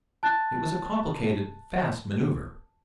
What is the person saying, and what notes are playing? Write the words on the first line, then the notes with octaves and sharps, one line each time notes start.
It was a complicated, fast maneuver.
A5 F#6 A6